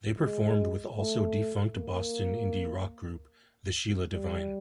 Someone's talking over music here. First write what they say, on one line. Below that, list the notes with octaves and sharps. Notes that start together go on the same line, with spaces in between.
They performed with also defunct Boston indie rock group The Sheila Divine.
G#3
A3
A#3
G3